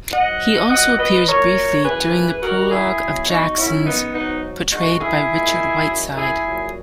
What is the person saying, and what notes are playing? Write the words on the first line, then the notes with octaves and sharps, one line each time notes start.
He also appears briefly during the prologue of Jackson's "", portrayed by Richard Whiteside.
G#2 F#3 D#5 F#5
A#2 F#3 D#5 F#5
B4 D#5
A#2 F#3 A#4 C#5
F#2 E3 G#3 G#4 B4
F#2 D#3 F#3 F#4 A#4
E4 G#4
B2 F#3
D#4 F#4
F#2 C#3 F#3 C#4 E4
B3 D#4
G#2 F#3 B3 D#4
F#2 D#3 G#3 D#4 F#4
E4 G#4
A#2 G#3
F#2 D#3 F#3
E4 G#4
A#2 F#3